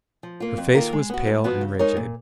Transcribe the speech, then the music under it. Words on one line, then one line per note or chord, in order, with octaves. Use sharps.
Her face was pale and rigid.
F3
A#3 F4
F2
D#3 A#3 F4 A#4
G#3
B3 F#4
G#2
F3 B3 F#4 B4
C#3
G#3 D#4 A#4 C#5
A#2